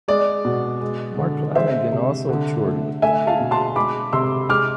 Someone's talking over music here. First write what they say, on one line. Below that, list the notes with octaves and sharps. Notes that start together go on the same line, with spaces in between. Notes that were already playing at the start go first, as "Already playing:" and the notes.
Mark Lanegan also toured with the group.
G#3 D5
B2
G#3
D3
G#3 C5 E5
C3
D3
A3
A3 E5 G#5
F5 A5
B2
A5 C6
G#3 B5 D6
C3 C6 E6
G#3 D6 F6